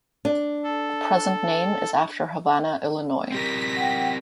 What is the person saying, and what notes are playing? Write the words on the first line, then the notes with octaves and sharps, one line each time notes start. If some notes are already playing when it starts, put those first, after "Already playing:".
The present name is after Havana, Illinois.
D4
A4
C4 G4 A#4 A#6 B6
F#5 G5